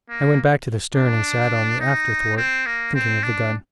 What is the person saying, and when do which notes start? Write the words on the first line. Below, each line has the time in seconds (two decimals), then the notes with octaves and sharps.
I went back to the stern and sat on the after thwart, thinking of the gun.
0.10 A#3
0.94 D4
1.80 D#4
2.37 C4
2.66 A#3
2.95 C4
3.23 D4